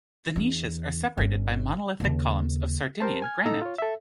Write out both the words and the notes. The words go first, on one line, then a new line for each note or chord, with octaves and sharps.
The niches are separated by monolithic columns of Sardinian granite.
E2 D4
G1 C#4
D#2 C#3
G4 A#4 C5 A5
G#5 F6 G#6
A2 D#4 A4 A#5 E6
F4 C#5
A4 E5